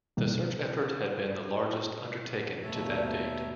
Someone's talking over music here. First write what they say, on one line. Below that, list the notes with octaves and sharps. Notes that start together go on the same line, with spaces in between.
The search effort had been the largest undertaken to that date.
B2 D#3 G3 A#3
D#2 B2 A3 C#5 E5